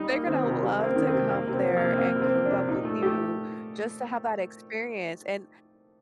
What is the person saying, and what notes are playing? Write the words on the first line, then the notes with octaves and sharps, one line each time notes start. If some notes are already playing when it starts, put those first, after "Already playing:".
they're gonna love to come there and coop up with you just to have that experience, and
Already playing: G3 D#4
A#3
D#3 C4
C3
G3
A#3
C4
D#3
C4
C3
A#3
C3
C4
F3
C3 A#3
C4
A#3
C3
C4
F3
D4
C3
A#2 D#4
A3
A3 G4